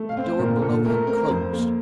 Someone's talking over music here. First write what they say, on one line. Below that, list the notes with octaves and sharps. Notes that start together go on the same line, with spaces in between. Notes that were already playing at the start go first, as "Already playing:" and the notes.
The door below had closed.
Already playing: A3
F5
C4
C5
A#2 A#4
A#2 A4
A3 A#4
C4 A#4
F2 C5
A#3